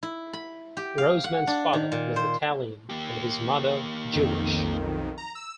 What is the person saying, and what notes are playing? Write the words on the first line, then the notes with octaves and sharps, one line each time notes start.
Rossman's father was Italian, and his mother Jewish.
E4
B5
G4
F5
F#5
D4
D#3
A#2
C5
A#3 G4
B1 F2 D#3
A#5
E6